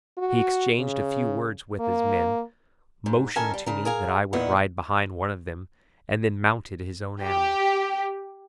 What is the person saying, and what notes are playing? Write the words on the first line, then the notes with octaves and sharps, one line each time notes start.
He exchanged a few words with his men, motioned to me that I would ride behind one of them, and then mounted his own animal.
F#4
C#3
A#3
G#2
D#3 C#4 A4 A#4 G#5 A5
G3
C#3 A#4
G#4 A#4 F5 G#5
A#2 D#3 B3 E4
G4